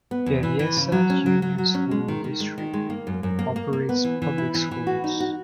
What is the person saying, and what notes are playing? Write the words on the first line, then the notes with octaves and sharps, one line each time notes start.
Berryessa Union School District operates public schools.
B3
E2
E3
E3
C#3
F#3
C#4
F#3
F#3
F#3
C#4
G#3
D#3
D#3
G#3
D#3
G#3
A#3
F#2
F#2
A#3
A#3
A#3
B3
E3
E3
E4
E3
E3
F#4
D#4
F#4